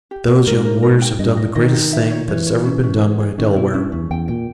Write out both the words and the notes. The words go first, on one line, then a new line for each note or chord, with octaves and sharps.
Those young warriors have done the greatest thing that has ever been done by a Delaware.
G4
A#2 A#4
G#2 A#4
A#4
A#4
G5
G2 D#5
D#5
D#3 D#5
D#5
E5
C#5
E3 C#5
C#5
C#4
C#4
G#4
G#4
D#3 C#4
B2 E4
G2 C#4
E2 C#4
E2 G5
A#2 G5